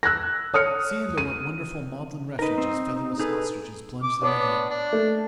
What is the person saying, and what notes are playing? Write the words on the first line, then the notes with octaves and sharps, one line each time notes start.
See into what wonderful maudlin refuges, featherless ostriches plunge their heads!
E6 F#6 G#6 A#6
C#5 D#6 F6 C#7
D#7
D#4 A#4 B4
C4
D#4 G#4 A4 B4
D6
B3 D4 C#5 D6
D4
A3